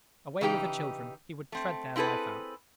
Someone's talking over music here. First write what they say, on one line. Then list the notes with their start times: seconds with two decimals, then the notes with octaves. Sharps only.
Away with the children: he would tread their life out!
0.41 C#3 E3 D#4 G4 G5
1.52 A3 C4
1.96 C4 E4 G#4 A4 B4